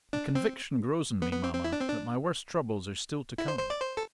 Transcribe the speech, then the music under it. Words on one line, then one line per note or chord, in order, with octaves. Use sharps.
The conviction grows on me, mama, that my worst troubles are still to come.
D4
C4
B3
B3
C4
C4
E4
D4
C4
D4
E4
C5
C5
D5
C5
A4